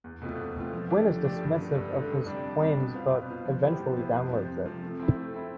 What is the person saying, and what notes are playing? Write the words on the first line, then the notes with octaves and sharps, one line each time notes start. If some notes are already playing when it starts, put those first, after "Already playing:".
Quinn is dismissive of his claims but eventually downloads it.
E2
B2 A3 C4 F4
E2
B2 A3 C4 F4
F3
A3 D4 G4
F3
A3 D4 G4
G2
D3 A3
G2
D3 A3
F2
C3 G3 D4
F2
C3 G3 D4
B2
B3 F4 C5 F5
B2
B3 F4 C5 F5
F3
B3 E4 G4 C5
F3
B3 E4 G4 C5
F2
C3 F3
F2
C3 F3
A3
C4 E4
A3
C4 E4